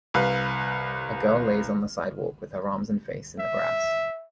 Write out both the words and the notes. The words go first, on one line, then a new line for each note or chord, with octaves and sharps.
A girl lays on the sidewalk with her arms and face in the grass.
C2 B4 F5
E5